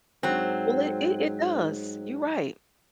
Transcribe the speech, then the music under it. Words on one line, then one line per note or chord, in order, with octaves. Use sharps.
Well, it it does, you're right.
G#2 F#3 C4